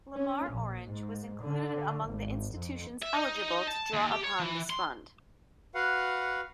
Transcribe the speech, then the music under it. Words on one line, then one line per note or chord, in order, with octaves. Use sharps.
Lamar-Orange was included among the institutions eligible to draw upon this fund.
C#4
A#1
G#2
D3
G#1
F2
E5
D#4
A5
D#2
G4
C#5
E3
C6
F#4 B4 F5 F#5